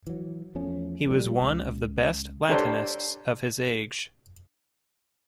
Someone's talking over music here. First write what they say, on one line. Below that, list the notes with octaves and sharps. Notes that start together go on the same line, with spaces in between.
He was one of the best Latinists of his age.
E3 F#3
E2 F3 A3 C#4
A#1 A2 E3 G3
C#2
D4 G4 A4 A#4 C5 C#5